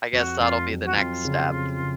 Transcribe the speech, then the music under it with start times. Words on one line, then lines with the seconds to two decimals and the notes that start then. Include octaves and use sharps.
I guess that'll be the next step.
0.12 F2 F#4
0.40 F2 F4
0.68 F#3
0.85 F#4
0.96 F2 F4
1.25 C#3
1.52 F2
1.80 C#3